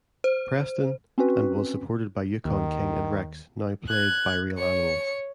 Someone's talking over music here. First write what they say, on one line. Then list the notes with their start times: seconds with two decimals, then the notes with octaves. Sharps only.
Preston, and was supported by Yukon King and Rex, now played by real animals.
0.24 C5
1.18 C4 C#4 F#4 B4
2.45 D#2 D#3
3.88 F#6 G#6
4.57 C#5 C#7